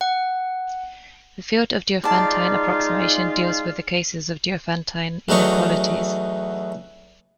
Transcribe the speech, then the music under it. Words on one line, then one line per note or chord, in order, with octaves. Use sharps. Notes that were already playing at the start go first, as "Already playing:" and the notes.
The field of Diophantine approximation deals with the cases of "Diophantine inequalities".
F#5
G#3 D#4 F4 D5 A5
E2 F#3 A3 D#4 C#6